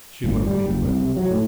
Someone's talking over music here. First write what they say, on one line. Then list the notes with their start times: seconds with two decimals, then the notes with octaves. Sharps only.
She looked into it.
0.24 G1
0.47 G3
0.64 F#1
0.85 C2
1.01 C3
1.17 F#3
1.31 A2